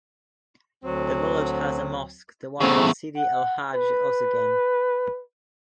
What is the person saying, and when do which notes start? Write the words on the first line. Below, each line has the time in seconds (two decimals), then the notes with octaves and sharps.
The village has a mosque, the one of Sidi El Hadj Ouzzeggane.
0.84 D2 F#3 C4
2.60 E2 C#3 G3 A3 C4
3.17 F#5
3.75 B4